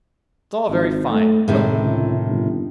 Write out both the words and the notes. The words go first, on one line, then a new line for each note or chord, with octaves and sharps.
'It's all very fine--Well!
G#1
A3
A2 C3 D#3 G#3
C#2
G1